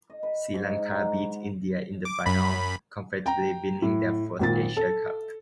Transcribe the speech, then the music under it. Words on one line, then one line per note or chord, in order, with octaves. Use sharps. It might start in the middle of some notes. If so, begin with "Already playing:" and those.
Sri Lanka beat India in the final comfortably winning their fourth Asia Cup.
D#5
B4
G#2
D#4
F#5
D6
F#2 B5
G5 A#5
A2
G#1 A#2 A6
A4